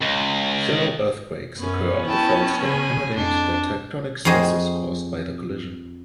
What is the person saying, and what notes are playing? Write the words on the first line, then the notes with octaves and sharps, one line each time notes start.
Shallow earthquakes occur on faults that accommodate the tectonic stresses caused by the collision.
C#2
F#2 B3 C#4
E4 G5 A5
C#3 G#4
F2 D4
F2 F#4 G#4 C5 D#5